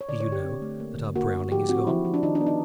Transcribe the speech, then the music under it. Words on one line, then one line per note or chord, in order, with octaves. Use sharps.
Do you know that our Browning is gone?
C#5
D3 D5
C#5
D3
G4
C4
A3
A#3
D3
A#3 F#4
A#3
F3 G4
C4 F#4
F3 E4
F3
D4
D#3 D#4
D4
B3
D#4